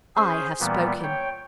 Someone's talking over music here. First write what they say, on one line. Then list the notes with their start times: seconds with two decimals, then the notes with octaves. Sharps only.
I have spoken.'
0.16 C#4 G#4 C5
0.60 A#2 E3 G3 A#3 B3
1.03 C#5 G5